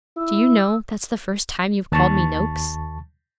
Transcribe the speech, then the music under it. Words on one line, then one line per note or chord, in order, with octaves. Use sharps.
'Do you know, that's the first time you've called me "Noakes"?'
E4 E6
D#2 A5 C#6 A6